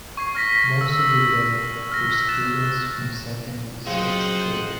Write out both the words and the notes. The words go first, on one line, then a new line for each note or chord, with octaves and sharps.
Most of the dead were students from second to sixth grade.
C#6 G#6 C7
F6 A#6 B6
E6
F6 A#6
F#6 A6 E7
C#3 F3 F#3 C4 C5 D#5 F#5